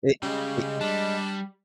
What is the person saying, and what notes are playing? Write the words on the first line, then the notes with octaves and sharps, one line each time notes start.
It it
C#3 G3 G#3
G3 D4